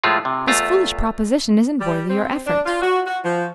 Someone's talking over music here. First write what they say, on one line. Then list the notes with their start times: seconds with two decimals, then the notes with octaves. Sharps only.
This foolish proposition isn't worthy your effort.
0.04 A2 F3 G#3 A3 F4 G#4
0.25 C3
0.47 E2 A3 F4 A#5
1.80 G3
2.09 C4
2.46 D4
2.65 F4
2.81 F#4
3.07 F#4
3.24 F3